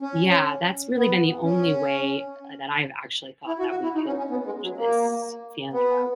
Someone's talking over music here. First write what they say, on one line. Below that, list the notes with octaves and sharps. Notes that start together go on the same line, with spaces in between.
Yeah, that's really been the only way, uh, that I've actually thought that we could bridge this feeling of,
C#4
B3
C#4
E4
F#4
F#4
E4
D#4
C#4
C#4
B3
G#3
F#3
A#3
B3